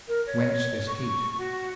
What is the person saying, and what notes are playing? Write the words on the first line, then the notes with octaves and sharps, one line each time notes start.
Whence this heat?
A#4
C#5
C#6
F#4